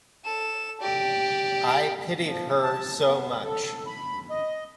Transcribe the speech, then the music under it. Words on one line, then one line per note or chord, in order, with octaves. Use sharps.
I pitied her so much.
A4 E7
G4 D5
F3
A5
B3
A4
B5
D#5